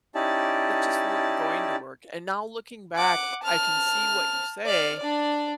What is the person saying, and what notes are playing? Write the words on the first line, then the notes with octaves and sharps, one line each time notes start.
that just weren't going to work, and now looking back, I can see what you say,
C#4 D#4 E4 G4 D5 A5
F#5 D6
A5 F6
D5 F6
D4 D5